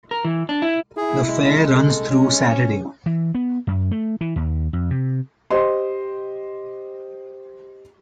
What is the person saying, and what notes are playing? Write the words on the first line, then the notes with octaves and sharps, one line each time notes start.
The fair runs through Saturday.
A#4
E3
D4
E4
E4 G#4
G#3
A4
C#4
E3
B3
F#2
A3
E3
D#2
F2
C3
G4 C5 D#5 C6